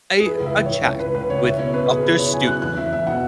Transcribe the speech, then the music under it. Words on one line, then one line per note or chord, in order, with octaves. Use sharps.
a a chat with Doctor Stupid."
G#4
E3 B4
C#2
E5
E3
C#2 C#5
C#3
C#2 B4
C#2 B4
C#3 C#5
E4 E5
B2 C#5
C#4 B4
B2 G#4
E4 B4
E4 C#5
F#3 G#5
C#4 F#6
E2 F#6
E2 E5
E2 E5
B2 F#5